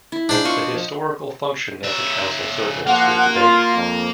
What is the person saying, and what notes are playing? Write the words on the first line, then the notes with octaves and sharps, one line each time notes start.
The historical function of the council circles is debated.
E4
G#2 D4 C5
F4 D#5 C#6
F3
C#3 E5
F3 A#3 F4 F#5
F4
F2